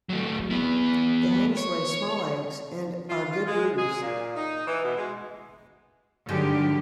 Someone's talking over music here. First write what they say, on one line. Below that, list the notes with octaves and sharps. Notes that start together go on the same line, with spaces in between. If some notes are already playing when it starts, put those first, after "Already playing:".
The hens lay small eggs and are good brooders.
F#3 A3
B3 E4
C#5
F4
F4
G#3
G#4
A#2
D#4
E3
B2
G#3
G2 D3 D#3 F#3 G#3 G4